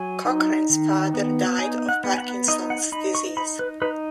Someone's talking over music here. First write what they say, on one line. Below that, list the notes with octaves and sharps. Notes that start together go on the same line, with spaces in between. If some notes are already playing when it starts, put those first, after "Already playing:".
Cochrane's father died of Parkinson's disease.
Already playing: F#3 G#5
D#4
D#3
B3
D#4 G#5
F#5
B3
G#5
F#5
D#4 D#5
F#5
D#4 B5
C#6
D#4 B5
B4
D#4 B4